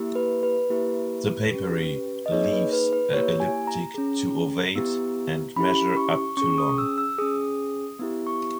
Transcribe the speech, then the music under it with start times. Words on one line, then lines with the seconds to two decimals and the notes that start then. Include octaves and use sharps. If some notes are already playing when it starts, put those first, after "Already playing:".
The papery leaves are elliptic to ovate and measure up to long.
Already playing: A#3 E4 G4
0.15 B4
0.43 B4
0.70 A#3 E4 G4
1.51 C#4 G4
2.26 D#5
2.32 A#3 D#4 G#4 C#5
2.53 B4
2.73 B4
2.93 B4
3.13 A#3 E4 G4 C#5
3.40 G#5
3.67 A#5
3.94 C#4 G#4
4.76 B3 E4 G4
5.56 C#4 E4 G4 B5
5.97 C#6
6.37 C#4 G#4 C#6
6.58 D#6
6.78 E6
6.98 E6
7.18 C#4 G#4 D#6
7.99 B3 E4 G4
8.27 C#6